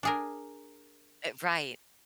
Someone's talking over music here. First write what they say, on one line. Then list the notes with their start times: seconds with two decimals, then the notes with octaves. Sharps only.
Uh, right.
0.03 D4 G#4 A#4